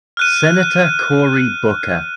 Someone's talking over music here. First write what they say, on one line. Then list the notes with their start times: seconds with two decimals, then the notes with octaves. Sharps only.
Senator Cory Booker.
0.17 F6 F#6 D#7